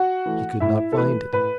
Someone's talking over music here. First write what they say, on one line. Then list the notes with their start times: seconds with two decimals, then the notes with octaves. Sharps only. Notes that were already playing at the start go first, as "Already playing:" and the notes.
He could not find it.
Already playing: F#4 F#5
0.26 E3 A3
0.60 A2 E4 E5
0.92 A4
0.97 E3 A3 B4
1.33 A2 B4